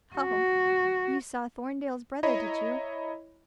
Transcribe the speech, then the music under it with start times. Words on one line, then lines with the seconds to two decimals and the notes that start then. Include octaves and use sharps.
'Oh! you saw Thorndale's brother, did you?'
0.16 F#4
2.23 E4 C#5 D#5 A#5 B5